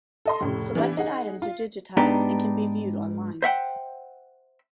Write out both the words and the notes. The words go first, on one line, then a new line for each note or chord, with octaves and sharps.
Selected items are digitized and can be viewed online.
A4 D#5 C6
F1 A2 C#3
E3 B3 D4 E4 G4
D#4 G#4 F#5
F4
G#2 B3 D4 D#4 G4
C5 E5 F#5 G5